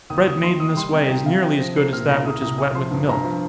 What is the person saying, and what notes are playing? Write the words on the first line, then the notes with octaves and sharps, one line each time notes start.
Bread made in this way is nearly as good as that which is wet with milk.
D#2 D#6
D#2 D#6
D#3 C6
D#3 D#6
G3 C6
C3 G5
C2 G5
C3 F5
F3 G5
F3 A#6
C2 C7
A#2 F6
C2 A#6
C2 D#6
C2 D#6
C2 D#6
F3 C6
G2
G2 A#5
F3